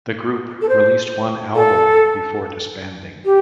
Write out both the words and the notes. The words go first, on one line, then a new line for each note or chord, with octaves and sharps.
The group released one album before disbanding.
A4
C5
A4
G4